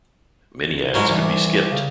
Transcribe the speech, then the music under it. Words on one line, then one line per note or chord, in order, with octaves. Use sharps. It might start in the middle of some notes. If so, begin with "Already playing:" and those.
Many ads could be skipped.
G#2 C#3 F#3 G#3
C2 C3 E3
C#3